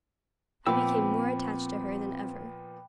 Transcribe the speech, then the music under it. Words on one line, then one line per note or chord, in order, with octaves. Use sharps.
I became more attached to her than ever.
A#2 F3 B3 C4 G5 B5 D6 E6